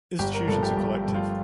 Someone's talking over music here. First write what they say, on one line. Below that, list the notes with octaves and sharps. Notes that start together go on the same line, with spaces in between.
Institutions are collective.
G1 G4
A#4
G2 F3 A3 A4
G4
G1 G4
G4
G2 F3 A3
F4